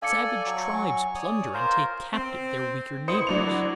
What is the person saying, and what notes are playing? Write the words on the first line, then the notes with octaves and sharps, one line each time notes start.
Savage tribes plunder and take captive their weaker neighbors.
A4 D5 F5 G#5 D6 C#7
F#3 C#6
G#5
C#5 D5 D#6
F4 A#4 C5
C4
E4 C5 D#6 C#7
F#3 D4 F7